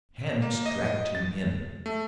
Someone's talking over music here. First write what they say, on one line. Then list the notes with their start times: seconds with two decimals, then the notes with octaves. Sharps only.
Hands dragged him in.
0.42 A#3
0.66 D#5
1.15 A6
1.86 A3